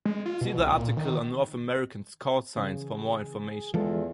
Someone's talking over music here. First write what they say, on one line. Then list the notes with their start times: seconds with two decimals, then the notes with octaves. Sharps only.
See the article on North American call signs for more information.
0.05 G#3
0.26 F4
0.41 B2
0.58 C2
0.73 A#2
0.97 D#3
2.57 C#3 E3 G#4
3.74 E2 E3 G#3 F4 A4